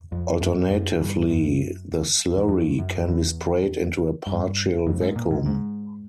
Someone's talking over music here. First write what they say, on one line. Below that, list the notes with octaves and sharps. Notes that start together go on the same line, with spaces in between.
Alternatively, the slurry can be sprayed into a partial vacuum.
F2
F#2
F#2
G2
F#2
E2
F2
F#2
E2
G2
F2
G#2
A#2
G#2
G#2